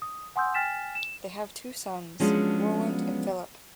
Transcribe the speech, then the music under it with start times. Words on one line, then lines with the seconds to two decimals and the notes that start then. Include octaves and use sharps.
They have two sons, Roland and Philip.
0.02 D#6
0.36 F#5 G#5 C6 D#6 E6 G6
0.54 G5 G#5 F6 A6 B6 E7
0.95 E7
2.20 F3 F#3 G#3 B3 C#4 D4